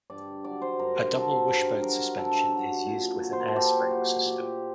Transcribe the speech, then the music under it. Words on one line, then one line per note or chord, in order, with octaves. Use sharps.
A double wishbone suspension is used with an air spring system.
G2 D5
F#3 D5
C5
G2 A#4
A#4
F#3 A4
C5
G2 A#4
F#3 A#4
G2 A4
F#3
A#2
F#3
C5
A#4
A4
A#2 G4
F#3 F#4
A#2 G4